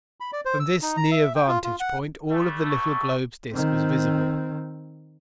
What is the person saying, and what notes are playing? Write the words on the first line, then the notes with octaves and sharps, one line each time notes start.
From this near vantage point, all of the little globe's disc was visible.
B5
D5
C5
E6
D#4
A#5
E5
G5
F4
F4
F#5
G2 A3
C#6
D#3 C4